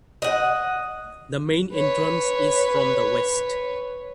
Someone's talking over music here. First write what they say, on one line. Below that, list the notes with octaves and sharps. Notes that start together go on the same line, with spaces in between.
The main entrance is from the west.
D#5 F#5
B4 C#5